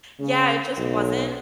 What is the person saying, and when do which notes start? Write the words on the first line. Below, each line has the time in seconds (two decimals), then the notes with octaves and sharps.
Yeah. It just wasn't
0.20 C#3
0.78 B1